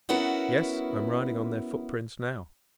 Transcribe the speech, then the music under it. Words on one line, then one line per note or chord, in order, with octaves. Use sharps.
"Yes, I'm riding on their footprints now."
B3 C#4 E4 F#4 A#4 B4